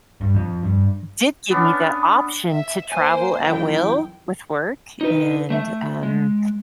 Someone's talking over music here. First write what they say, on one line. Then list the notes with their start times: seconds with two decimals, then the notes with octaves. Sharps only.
did give me that option to travel at will with work, and, um,
0.21 G2
0.35 F2
0.63 G2
1.51 B3 C#4 D4
2.51 E5
2.92 A#3 C5 G#5
3.46 F#2 E3 G5
5.01 D#4 B4
5.50 A3 E5
6.03 G#3